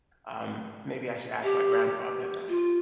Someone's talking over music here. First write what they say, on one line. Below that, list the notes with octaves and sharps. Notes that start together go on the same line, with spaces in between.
Um, maybe I should ask my grandfather that.
G4
F4